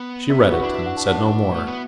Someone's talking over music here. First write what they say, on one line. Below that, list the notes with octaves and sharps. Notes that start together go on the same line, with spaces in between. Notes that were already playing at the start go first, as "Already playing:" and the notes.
She read it, and said no more.
Already playing: B3
E5
B4
F#4
D4 E4
E5
F#5
A5
F#5
A3
B3